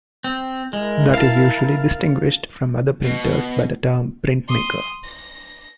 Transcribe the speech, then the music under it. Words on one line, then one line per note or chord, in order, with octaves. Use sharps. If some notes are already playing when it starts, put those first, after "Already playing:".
That is usually distinguished from other printers by the term printmaker.
C4
G#3 E4 A#4
F5 A5
B2
C6 D#6
A#6